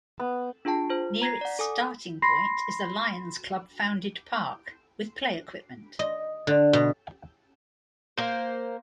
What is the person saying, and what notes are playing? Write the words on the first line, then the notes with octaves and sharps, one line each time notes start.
Near its starting point is a Lions Club founded park, with play equipment.
B3
D4 F4 G#4 G5 A5
F4 C5
A#5 G#6 A#6 C7
D5 F#5
A4 G#5 D#6
B5 C6 A#6 C7
D#5
D3
B2
A#3 C5